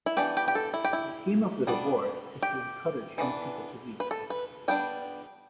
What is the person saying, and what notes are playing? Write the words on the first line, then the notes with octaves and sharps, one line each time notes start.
The aim of the reward is to encourage young people to read.
E4
E3 B3 D4 G4
G4
G4
A4
E4
G4
E4
G3 B3 D4
G4
E3 B3 D4
B4
A4
B4
G3 B3 D4 G5